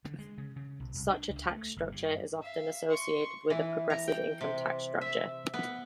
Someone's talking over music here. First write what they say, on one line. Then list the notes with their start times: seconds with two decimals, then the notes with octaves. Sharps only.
Such a tax structure is often associated with a progressive income tax structure.
0.05 D3
0.19 G#3
0.38 C#3
0.56 C#3
0.80 B1
0.95 C2
1.10 D4
1.30 C#2
1.51 A3
1.76 G1
1.92 G2
2.42 E5 F5
2.88 C6 C#6
3.50 E3
3.90 A#5
4.08 G5
4.41 C3
5.01 E5
5.54 B3